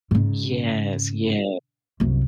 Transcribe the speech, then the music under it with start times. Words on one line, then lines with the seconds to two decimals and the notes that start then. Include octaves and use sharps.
Yes, yes,
0.11 G#2 C#3
2.00 C2 F#2